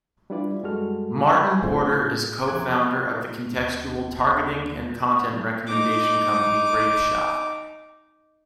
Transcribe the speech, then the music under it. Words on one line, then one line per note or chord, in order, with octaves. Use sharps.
Martin Porter is co-founder of the contextual targeting and content recommendation company Grapeshot.
G3 D4 E4 F4 B4 D5
F#2 G3 G#3 F#4 A4 F6
G5 G#5 B5 G6 G#6
A3 C4 E4 F4 G#4 C5
A2
E2 F3 G4 D6 F#6 G#6
D#2
D#4 D6